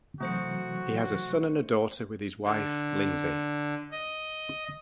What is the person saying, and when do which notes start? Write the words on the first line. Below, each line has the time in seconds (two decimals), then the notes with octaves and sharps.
He has a son and a daughter with his wife, Lindsay.
0.21 C3 E3 F#3 A3 F#4 C5 C#7
2.44 D3
3.92 D#5